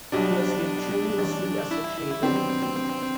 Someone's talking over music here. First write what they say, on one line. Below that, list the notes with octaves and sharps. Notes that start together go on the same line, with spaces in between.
He has been tenuously associated with Nimrod.
B1 B2 G3 D4
A1 G2 E3
E4
C3 D#3 F#3 B3 C4 D4